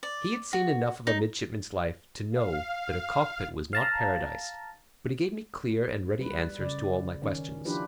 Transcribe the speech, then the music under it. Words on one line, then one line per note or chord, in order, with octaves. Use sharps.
He had seen enough of a midshipman's life, to know that a cockpit was not paradise; but he gave me clear and ready answers to all my questions.
D5
F#4
D#4
F5
F5 A5 A#5
G3 B4
C#3 D5
D#3 C#4
F3 D4 E4 F4 G4 B4